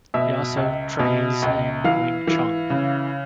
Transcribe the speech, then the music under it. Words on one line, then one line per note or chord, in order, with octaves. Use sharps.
He also trains in wing chun.
B2 E5
C#2
B2
C#2
E3 F5
E3
C#3